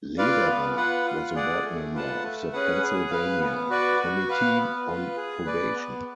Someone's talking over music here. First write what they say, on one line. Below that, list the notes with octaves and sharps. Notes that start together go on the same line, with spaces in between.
Lederer was a board member of the Pennsylvania Committee on Probation.
F4 B4 D5 F5
B3
F4 B4 F#5
F4
G#4 D5 F#5
A3
F4 B4 F#5 A5
A3
C#4 G#4 B4 F#5
G#4
B4 F5
B3
F#4 B4 D5
F#4
B4 F5
B3
F4 B4
G#4
B4 D5
B3